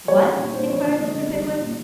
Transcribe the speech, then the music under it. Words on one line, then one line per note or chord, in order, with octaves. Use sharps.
'What?' inquired Mr. Pickwick.
G3 C#5
G3
A#2
A#2 C5
F3 C#5
D3 D5
G#3 D#5
D3
G3
G3
A#2